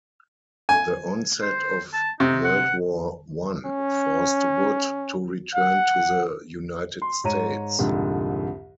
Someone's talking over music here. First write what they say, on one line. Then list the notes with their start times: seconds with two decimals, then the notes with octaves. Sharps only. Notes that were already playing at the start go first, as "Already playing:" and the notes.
The onset of World War One forced Wood to return to the United States.
0.69 G#5
1.41 C5
1.93 A5
2.20 C3 D#4
2.44 F#5
3.65 C#4
5.56 F#5
7.02 C6
7.24 G#2 C#5 A#5 D#7
7.79 C2 F2 G#2 D3